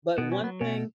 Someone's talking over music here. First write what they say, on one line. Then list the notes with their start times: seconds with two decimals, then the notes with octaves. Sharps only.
But one thing
0.18 B2 B3
0.32 C#4
0.40 F#3 B3
0.61 B2 C#4